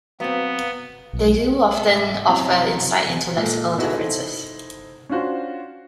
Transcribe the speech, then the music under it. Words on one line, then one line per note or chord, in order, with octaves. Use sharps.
They do often offer insight into lexical differences.
F#3 B3 C4 B4 F5 A#5
B1
G#4 A4 D5 E5
G#2
F#2 C3 C4 E4 A#5
A#2 G#3 A4
B3 D#4 E4 F#4 G#4 A4
D#4 E4 A4 C5
C#4 D4 F4 F#4 C5